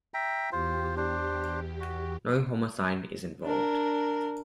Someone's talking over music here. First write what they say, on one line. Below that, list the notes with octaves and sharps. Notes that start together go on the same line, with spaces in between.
No homicide is involved.
E5 G5 A#5
E2 F4 G4 C5
D4 C5
F#4
D4 A#4